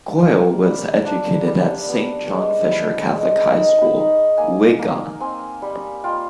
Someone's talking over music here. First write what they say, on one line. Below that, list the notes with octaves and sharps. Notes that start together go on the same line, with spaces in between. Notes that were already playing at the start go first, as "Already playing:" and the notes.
Coyle was educated at Saint John Fisher Catholic High School, Wigan.
A#3 A#5
G3
D4
G3
B3
G#3
E4
G#3
D#4 B5
A#5
B5
D#4
A#3 G#5
A#3
C4 G#5
G3
F4 G5